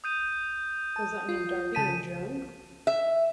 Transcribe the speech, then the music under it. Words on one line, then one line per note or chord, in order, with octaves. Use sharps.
Does that mean Darby and Joan?
D#6 G6 D#7
A5
F4
C#3 A5 B6 D#7 E7
E5